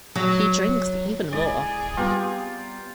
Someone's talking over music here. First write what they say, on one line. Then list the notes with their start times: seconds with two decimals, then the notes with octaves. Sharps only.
He drinks even more.
0.16 F#3
1.33 G#3 E4 G#4 D5
1.97 G3 B3 C4 F4 G4 A#5